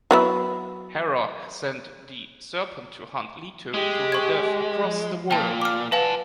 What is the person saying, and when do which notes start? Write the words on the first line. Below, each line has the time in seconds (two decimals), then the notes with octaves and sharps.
Hera sent the serpent to hunt Leto to her death across the world.
0.11 F#3 B3 E4
3.74 G#3 G4
4.12 C#6 G#6
4.79 F3
5.31 A#2 G5 A5
5.62 D6 F6
5.92 B4 F5 F#5 G#5 A5